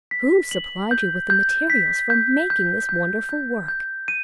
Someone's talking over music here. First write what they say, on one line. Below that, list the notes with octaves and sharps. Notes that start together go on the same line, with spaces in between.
"Who supplied you with the materials for making this wonderful work?"
B6
F#7
G6
G6
B6
G6
G6
G6
G6
G6
D#7